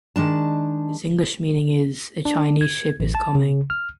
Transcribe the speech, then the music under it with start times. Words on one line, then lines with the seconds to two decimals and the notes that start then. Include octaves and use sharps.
Its English meaning is "A Chinese Ship is Coming".
0.16 D#3 G#3 D4 A5
2.25 D4
2.61 G#6
3.00 A1
3.15 A5
3.35 C#3
3.70 F6